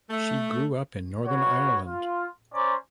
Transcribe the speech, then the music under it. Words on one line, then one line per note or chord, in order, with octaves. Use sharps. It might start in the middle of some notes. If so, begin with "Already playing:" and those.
She grew up in Northern Ireland.
A3
F#4 B4 C#5
F4
C#4 C5 D5 A#5 C6